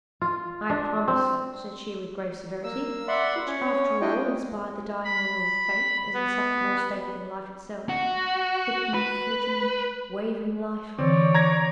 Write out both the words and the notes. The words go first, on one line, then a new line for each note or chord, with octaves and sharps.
'I promise,' said she, with grave severity; which, after all, inspired the dying woman with faith as in something more stable than life itself,--flickering, flitting, wavering life!
F4
D4
C4
A#3 E6
D5 E5 F#5 B5 C6
C#4 C#5
D4 E4 F4 D#5 G5
B5
B3
F#4
B4
D3 E3 C4 C#5 D5
A#5 G#6 A#6